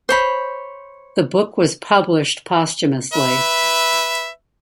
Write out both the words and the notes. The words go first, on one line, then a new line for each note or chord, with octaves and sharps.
The book was published posthumously.
C5 C#5 B5
B4 E5